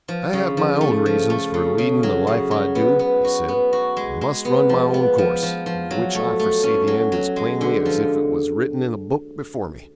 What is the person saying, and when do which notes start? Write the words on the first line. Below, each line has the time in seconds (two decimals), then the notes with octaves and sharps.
'I have my own reasons for leading the life I do,' he said, 'and must run my own course, of which I foresee the end as plainly as if it was written in a book before me.
0.08 F3
0.33 C#3
0.57 F3
0.81 A3
1.06 F3
1.30 A3
1.54 C#3
1.78 C#3
2.03 F#3
2.27 C#3
2.51 F#3
2.75 B3
2.99 B3
3.24 F#4
3.48 B3
3.73 F#4
3.97 G#3
4.21 G#3
4.45 B3
4.69 F3
4.94 B3
5.18 F3
5.43 F3
5.66 F3
5.91 F#3
6.15 A3
6.39 A3
6.63 C#4
6.87 F#3
7.12 F#3
7.36 G#3
7.61 D3
7.85 F3